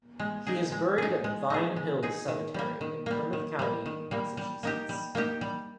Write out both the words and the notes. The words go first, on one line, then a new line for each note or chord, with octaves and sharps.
He is buried at Vine Hills Cemetery in Plymouth County, Massachusetts.
G#3
D#4 G#4
G#3
D#4 G#4
G#3
D#4 G#4
G#3
D#4 G#4
D#3
G3 A#3
D#3
G3 A#3
D#3
G3 A#3
D#3
G3 A#3
G3
A#3 D#4 G4
G3
A#3 D#4 G4
G3